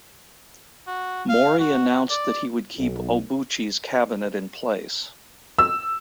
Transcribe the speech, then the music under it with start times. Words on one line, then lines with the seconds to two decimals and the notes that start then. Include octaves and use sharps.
Mori announced that he would keep Obuchi's cabinet in place.
0.87 F#4
1.29 F5
1.59 F#4
2.10 D5
2.78 B1
5.59 E6